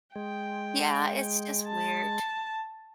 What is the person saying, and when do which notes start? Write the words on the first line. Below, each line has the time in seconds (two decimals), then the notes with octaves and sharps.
Yeah, it's just weird,
0.16 G#3 G5
1.68 A5